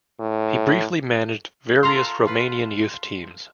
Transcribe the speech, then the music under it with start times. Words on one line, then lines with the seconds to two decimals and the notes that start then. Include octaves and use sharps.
He briefly managed various Romanian youth teams.
0.20 A2
1.83 F4 A4 A#5 C6
2.27 F4 B4